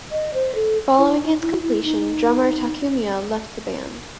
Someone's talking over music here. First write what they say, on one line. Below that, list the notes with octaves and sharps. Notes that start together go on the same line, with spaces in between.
Following its completion, drummer Takumiya left the band.
D#5
C5
A4
E4
D#4
E4
E4
D#4